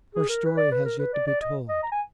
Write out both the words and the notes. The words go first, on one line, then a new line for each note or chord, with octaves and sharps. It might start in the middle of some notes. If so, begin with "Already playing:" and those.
Her story has yet to be told.
G#4
A#4
B4
D5
B4
A#4
B4
D5
D5
D#5
D#5
A#5
G#5